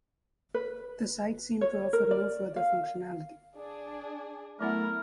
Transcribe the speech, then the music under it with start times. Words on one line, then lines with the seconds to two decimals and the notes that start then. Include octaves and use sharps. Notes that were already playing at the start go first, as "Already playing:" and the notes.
The site seemed to offer no further functionality.
0.54 B4
1.61 C#5
1.93 A#4
2.11 D5
2.56 F5
3.56 D4 G#4
4.61 F#3 A3 B3 E4 A#4 F#5